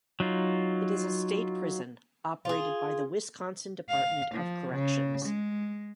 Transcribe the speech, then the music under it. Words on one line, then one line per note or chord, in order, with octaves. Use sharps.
It is a state prison operated by the Wisconsin Department of Corrections.
F#3 D#4 F4
F4 G#4
F5
F3
C#3
G#3